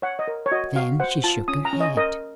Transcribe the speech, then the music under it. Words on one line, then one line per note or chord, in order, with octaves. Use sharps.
Then she shook her head.
C#5 F#5
D#5
A#4
C#5
F#4 D#5
F#4 F5
C5 F#5
F4 A5
C#4 D#6
A#5
C#4
D#5
A#4 D#5